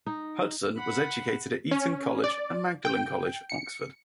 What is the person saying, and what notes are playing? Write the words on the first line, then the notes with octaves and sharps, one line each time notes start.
Hudson was educated at Eton College and Magdalen College, Oxford.
D#4
F#5 B5
C#4
D5
G5
C#7